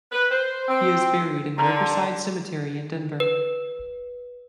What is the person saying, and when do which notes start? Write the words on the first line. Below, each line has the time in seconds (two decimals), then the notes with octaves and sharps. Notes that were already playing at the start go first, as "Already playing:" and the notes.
He is buried in Riverside Cemetery in Denver.
0.12 B4
0.31 C5
0.68 C4
1.58 D3 A#5 C6
3.20 B4